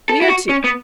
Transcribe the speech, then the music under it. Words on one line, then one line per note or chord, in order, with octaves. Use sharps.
We are two.
A4
E4
F#4
C#4
B3